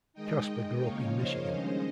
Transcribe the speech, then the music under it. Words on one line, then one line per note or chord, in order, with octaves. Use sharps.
Kasper grew up in Michigan.
D#3 G#3 D#4 D#5 G5
C#3 F3 A#3 C#5 F5
C5 D#5
G2 D#3 G#3 C#4